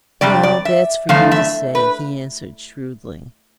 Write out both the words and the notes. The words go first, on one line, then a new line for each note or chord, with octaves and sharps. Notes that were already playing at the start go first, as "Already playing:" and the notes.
"Well, that's for you to say," he answered shrewdly.
F2 C3 G3 D5
D5
E5
E2 D3 F3 A3 F5
E5
B4